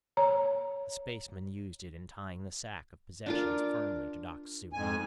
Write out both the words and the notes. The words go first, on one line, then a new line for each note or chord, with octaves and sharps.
The spaceman used it in tying the sack of possessions firmly to Doc's suit.
C#5 A#5
D4 F4 A#4
F2 G#2 G#5